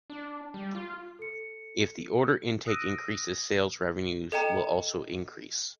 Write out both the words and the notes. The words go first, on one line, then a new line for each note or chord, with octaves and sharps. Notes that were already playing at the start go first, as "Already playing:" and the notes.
If the order intake increases, sales revenues will also increase.
D4
G3
F4
A4 C#7
D#6 E6 F#6 A#6 D7 D#7
A4 D#5 G5 A#5